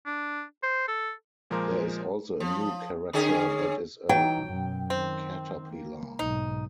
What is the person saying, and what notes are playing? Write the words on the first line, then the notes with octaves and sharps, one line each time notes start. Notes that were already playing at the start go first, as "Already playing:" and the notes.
There is also a new character that is a caterpillar.
D4
C5
A4
A#2 F3 G#3 A#4 C5 D6
F3
D3 C#4 G#4
E3 F#3 D#4 G5
F#2 B2
D#3 C4
A#3
B1 G#2 D#4